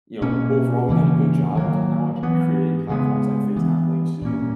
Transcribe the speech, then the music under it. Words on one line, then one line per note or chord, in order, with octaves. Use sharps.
you know, overall, we've done a good job with technology, creating platforms like FaceTime, like Zoom,
B2 A#3 C#4
C#3 E3 A#3 C#4
D#3 F#3 A#3
E3 B3
C#3 G#3 B3
E3 B3
A#2 A#3 C#4